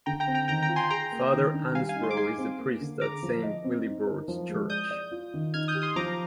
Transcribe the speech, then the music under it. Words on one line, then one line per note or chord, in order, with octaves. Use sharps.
Father Ansbro is the priest at Saint Willibrord's Church.
D3 G5 A#5
G5 A#5
C4
G5 A#5
D#3 G5 A#5
G5 A#5
F4
G#5 C6
G#4 G5 A#5
A#3
D#3
D4
G3 F5 G#5
F5 G#5
D#4
C6
D6
G#4 G#5 C6
C4
A#3
D3
G#4 A#5 D6
F3
D#5
C4
D#4
A#4
F3
G#3
D5 D#6 G6
D5
F4
D#3
D#4 F6 G#6
D#6 G6
G4
C6 D#6
F3 A#5 D6